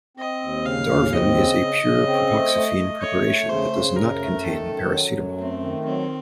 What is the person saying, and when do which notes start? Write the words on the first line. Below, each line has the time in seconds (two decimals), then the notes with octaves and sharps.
Darvon is a pure propoxyphene preparation that does not contain paracetamol.
0.17 C4 D#5
0.41 D#2
0.65 C#3 F5
0.89 D#2
1.13 C4 D#5
1.35 C#3
1.60 C#3
1.83 C#3
2.07 C4
2.30 A3
2.55 A3
2.77 A3
3.02 A3 C#5
3.25 A3
3.49 C#3 C5
3.72 C#3
3.96 F#2 A#4
4.20 A3
4.43 D#3 A4
4.67 F#2
4.91 F#3
5.14 F#2
5.38 A3 C4
5.61 D#3
5.85 F#3 C4